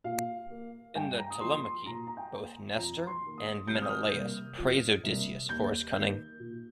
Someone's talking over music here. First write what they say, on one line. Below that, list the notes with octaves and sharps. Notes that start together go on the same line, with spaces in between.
In the "Telemachy" both Nestor and Menelaus praise Odysseus for his cunning.
A#2 F5
A#3
G2 G5
A#5
D#6
F3 A#3 C6
C6
A#2 A#5
A#5
G5
A#3
F2 A#5
C6
D#3 A#3
D#6
C2 G6
F6
D#6
F6
C3 G3 A#3
F2
C3 G3 A#3
D#2 G6
D#3 A#3
A#2